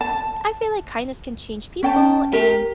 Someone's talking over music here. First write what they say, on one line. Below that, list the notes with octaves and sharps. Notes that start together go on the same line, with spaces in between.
I feel like kindness can change people, and
A5
C#4 G5 A5
G4 A#4